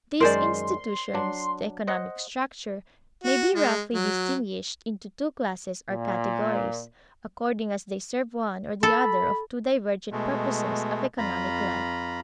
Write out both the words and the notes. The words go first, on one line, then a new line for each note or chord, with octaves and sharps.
These institutions--the economic structure--may be roughly distinguished into two classes or categories, according as they serve one or the other of two divergent purposes of economic life.
F#2 D#3 G#3 A#4 C5 D5 C6
F#3 D4
C5 D#5 F#5
F#4
G#3
F#3
A#2
A4 B5
B2 G#3 A3
F2 F4 A#5 B5